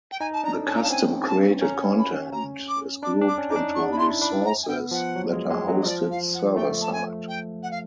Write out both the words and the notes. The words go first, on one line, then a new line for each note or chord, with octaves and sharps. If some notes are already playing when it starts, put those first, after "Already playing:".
The custom created content is grouped into "resources" that are hosted server-side.
G5
D#4 G#5
A5
D4 A#5
C#4 A5
A#5
A5
C4 G#5
G#5
A5
C#4 A#5
B5
A#5
D6
D4 D6
D4
D6
C#4
D#4 D6
D4
C#6
B5
E4 C6
D4 B5
A#5
G#5
B3 G5
F3 F#5
F#3
G#3
G#3
F#3
D#5
F3 D5
F5
F#5
A3 G5
A5
G#5
G5
F#5
F5